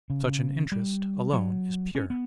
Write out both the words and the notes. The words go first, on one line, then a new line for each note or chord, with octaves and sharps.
Such an interest alone is pure.
C#3
G3
F#3
C#4
B3